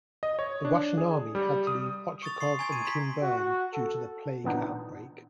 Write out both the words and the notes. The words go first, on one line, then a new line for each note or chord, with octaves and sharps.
The Russian Army had to leave Ochakov and Kinburn due to the plague outbreak.
D#5
C#5
D4
G#4
G3
D#6
C#6 D#6 A6 F7
C6 C#6 D#6 C7
G#5 A#5 C#6 G#6 D7
D#7
C6 B6
F#4
A4
A#2 E3 B3 D4 D#4